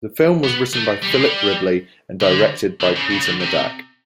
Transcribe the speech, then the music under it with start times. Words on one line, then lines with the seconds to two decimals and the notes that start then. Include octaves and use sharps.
The film was written by Philip Ridley and directed by Peter Medak.
0.44 B3
0.74 A3
1.03 G3
1.12 G#3
1.21 G3
2.21 D3
2.81 D3
2.96 C#3
3.11 C#3
3.25 D3
3.40 C3